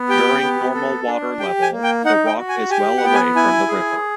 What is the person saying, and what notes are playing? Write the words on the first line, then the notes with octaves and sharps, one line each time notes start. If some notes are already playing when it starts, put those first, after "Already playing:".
During normal water level the rock is well away from the river.
Already playing: B3
G4 G5
B3
A4
D4
G4 G5
G#5
A#3
G5
D#4 F#5
G5
F#4
G#5
G4 G#5
F#5
B3 G5
G#5
E4 G#5
G#4